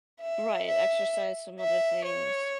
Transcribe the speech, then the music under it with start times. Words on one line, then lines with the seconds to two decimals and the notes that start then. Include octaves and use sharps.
Right, exercise some other things.
0.21 E5
0.68 E5
1.60 E5
2.05 C#5